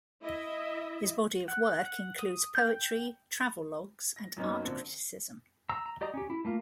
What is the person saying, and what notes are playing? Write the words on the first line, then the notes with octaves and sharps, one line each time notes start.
His body of work includes poetry, travelogues, and art criticism.
E4 D#5 E5
F#5
F#5
D#6
G6
G5
A#6
F#2 F#3 A#3 B3 C#4 D#4
A#1 D3 C4
A#5 E6
A#5
G4 D5 D#5 A#5 D#6
C#4 G4
E4
A3 A#3 F4